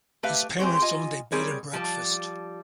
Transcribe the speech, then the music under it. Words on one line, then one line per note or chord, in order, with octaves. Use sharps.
His parents owned a bed-and-breakfast.
A3 G4 B4 E5 F5
G#3 C4 G4 C5 C#5
F4 D#5 G#5
G3 C4 G#4 A#4 C#5 D5
F3 G3 A5